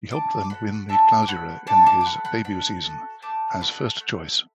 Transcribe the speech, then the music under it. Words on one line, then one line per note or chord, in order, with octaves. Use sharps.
He helped them win the Clausura in his debut season, as first-choice.
D4 A5 D6
D6
F#4 A4 F#5 B5
D4 E5 A5
D6
F#4 A4 F#5 B5
D4 A5 D6
A5 D6
D6
F#4 A4 F#5 B5
F#5 B5
D4 F#5 B5
F#4 A4
A3 A5 D6
F#4 A4 F#5 B5
A3